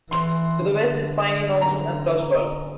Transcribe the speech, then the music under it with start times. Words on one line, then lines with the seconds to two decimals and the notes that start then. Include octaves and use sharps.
To the west is Piney Mountain and Frostburg.
0.11 E3 C6
0.60 D3
1.61 A#5